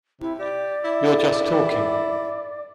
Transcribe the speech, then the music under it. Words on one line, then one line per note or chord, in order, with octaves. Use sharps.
You’re just talking.
C3 E4
G4 D5
E4